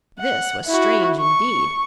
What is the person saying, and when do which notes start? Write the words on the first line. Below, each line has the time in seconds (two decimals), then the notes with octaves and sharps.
This was strange indeed!
0.20 F#5
0.67 E4 F#4
1.19 C#6